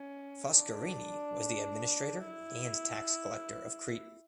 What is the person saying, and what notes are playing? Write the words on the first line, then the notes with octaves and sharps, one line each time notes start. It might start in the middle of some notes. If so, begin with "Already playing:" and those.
Foscarini was the administrator and Tax collector of Crete.
Already playing: C#4
D4
E4